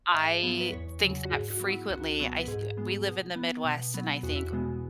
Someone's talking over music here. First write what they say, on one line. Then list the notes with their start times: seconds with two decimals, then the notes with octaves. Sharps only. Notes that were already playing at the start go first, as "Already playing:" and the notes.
I think that frequently, I f we live in the Midwest and I think
0.14 G#2 E5
0.43 F#3 B3
0.60 B4
0.72 E2 C#5
1.02 C#3 F#3
1.25 F#4
1.31 G#2 G#4
1.50 F#4
1.60 F#3 B3
1.70 E4
1.90 C#2 F#4
2.19 B2 F#3 B3
2.39 B4
2.48 G#2 G#4
2.77 G#3 B3
3.06 B2
3.36 B3
3.65 B2
3.94 F#3 B3
4.23 E2 F#4
4.35 E4
4.47 F#4
4.52 B2 G#3 B3